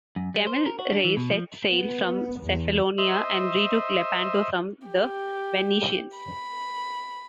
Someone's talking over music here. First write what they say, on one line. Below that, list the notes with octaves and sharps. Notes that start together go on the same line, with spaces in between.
Kemal Reis set sail from Cefalonia and retook Lepanto from the Venetians.
F#2
G3
C5
A#4
F#4
D4
E3
B2
F3
B3
E2
C5 D#5 E5
G4
B5